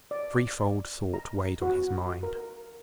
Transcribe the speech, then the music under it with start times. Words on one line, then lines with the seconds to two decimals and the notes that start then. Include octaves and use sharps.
A threefold thought weighed on his mind.
0.11 D5
1.14 A#5
1.62 F#4
2.23 A#4